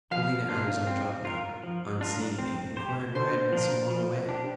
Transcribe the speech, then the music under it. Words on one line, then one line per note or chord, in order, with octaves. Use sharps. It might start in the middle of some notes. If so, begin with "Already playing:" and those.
Polina Alexandrovna, on seeing me, inquired why I had been so long away.
F3 F5
A#3 D4 F4
C4
F4 A#4
F3
D4 F4 A#4
C4
G4 C5
D3 C5
F3 D4 F4 A#4
F3
D4 G4